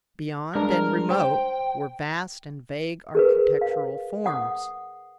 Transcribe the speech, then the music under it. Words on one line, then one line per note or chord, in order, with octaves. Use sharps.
Beyond and remote were vast and vague architectural forms.
G3 G#3 D4 A#4 A#5
C5 G5
G#4 A#4 B4
F5
F#5 D#6